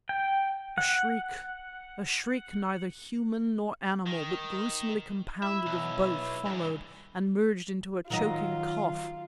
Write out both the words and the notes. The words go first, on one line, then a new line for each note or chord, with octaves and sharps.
A shriek--a shriek neither human nor animal, but gruesomely compounded of both--followed... and merged into a choking cough.
G5
F#5
D#3
E4 E5
B1
G2 E3
D#3 F#3 F4 D#5